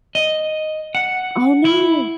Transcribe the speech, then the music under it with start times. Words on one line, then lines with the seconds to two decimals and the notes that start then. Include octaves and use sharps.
Oh no!
0.15 D#5
0.95 F#5
1.65 E4